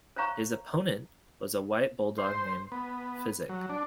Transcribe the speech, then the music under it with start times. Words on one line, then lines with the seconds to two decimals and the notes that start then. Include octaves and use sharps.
His "opponent" was a white bulldog named Physic.
0.16 C5 C#5 F5 A#5 C#6
2.18 C5
2.72 B3
3.49 F#3
3.70 D4